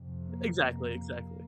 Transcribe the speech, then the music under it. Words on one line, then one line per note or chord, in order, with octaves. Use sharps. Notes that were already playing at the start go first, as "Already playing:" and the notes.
Exactly, exactly.
Already playing: F2 C3
A#3
F2 C3 A#3